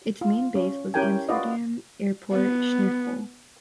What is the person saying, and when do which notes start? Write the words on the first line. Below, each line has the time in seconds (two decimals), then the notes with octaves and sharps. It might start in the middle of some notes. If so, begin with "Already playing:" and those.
Its main base was Amsterdam Airport Schiphol.
0.21 F4
0.55 C#4
0.94 C#4 E4 G4 A#4 G5 G#5
1.29 F4 F#4 B4 D5 D#5
2.31 B3